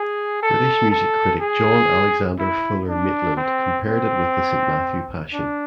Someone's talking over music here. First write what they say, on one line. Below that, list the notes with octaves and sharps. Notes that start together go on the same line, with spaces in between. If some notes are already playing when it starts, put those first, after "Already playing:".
British music critic John Alexander Fuller Maitland compared it with the "St Matthew Passion".
Already playing: G#4
A4
A4
G#4
E4
D4
C4
C4
D4